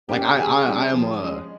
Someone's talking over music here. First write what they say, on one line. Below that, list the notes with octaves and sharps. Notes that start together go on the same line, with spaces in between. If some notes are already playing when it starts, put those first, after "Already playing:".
Like, I I I am a
A#3 C#4 G4
C#3 G#4
G3 C#4
F3
G#3 C#4